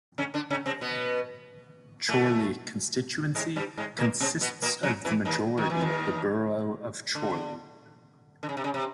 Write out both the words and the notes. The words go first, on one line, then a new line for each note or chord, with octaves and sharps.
Chorley constituency consists of the majority of the borough of Chorley.
C#3 C#4
D3 D4
C#3 C#4
C3 C4
B2 B3
A2 A3
G#2 G#3
G2 G3
G#2 G#3
A#2 A#3
C3 C4
B2 B3
A#2 A#3
F#2 F#3
E2 E3
D#2 D#3
D#3
E3
D#2 D#3
D3
D3
C#3
C3
C#3
C3